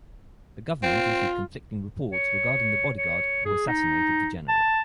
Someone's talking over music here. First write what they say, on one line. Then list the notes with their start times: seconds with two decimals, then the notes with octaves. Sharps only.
The government issued conflicting reports regarding the bodyguard who assassinated the general.
0.83 C4 F4
2.13 C#5
2.98 C#5
3.46 G#4
3.68 D#4
4.49 A5